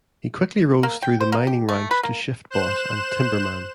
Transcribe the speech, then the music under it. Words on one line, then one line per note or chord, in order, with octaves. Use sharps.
He quickly rose through the mining ranks to shift-boss and timberman.
A#3
G5
C5
A#3
G4
A3
B4
A#3
C5 F#6 E7